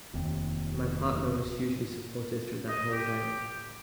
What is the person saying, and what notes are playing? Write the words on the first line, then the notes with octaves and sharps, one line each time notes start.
And my partner was hugely supportive through that whole time.
F1 D#2 C3 C4
D#5
G4